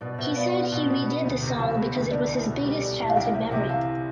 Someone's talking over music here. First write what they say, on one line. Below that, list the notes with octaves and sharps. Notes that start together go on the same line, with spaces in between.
He said he redid the song because it was his biggest childhood memory.
B2 B4 D5
B2 C5 E5
B3 D5 F5
F4
B2
B2
B3
D2
C3
F3 F5 A5
B3
D2
D4
C2
B2
G3
D4
C2
F5
C2 E5 G5
C2 C5 E5
C3 E5 G5
E3 F5 A5